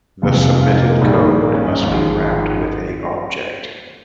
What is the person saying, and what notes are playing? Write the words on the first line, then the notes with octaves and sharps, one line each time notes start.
The submitted code must be wrapped with a object.
F1 F2 C3 F3 F4
F4
F4
D#4
A#3
G#3
A#1 G#2 D#3 G3
G3
A#3
C#4
D#4
G#1 G#2 F3 F4
D#4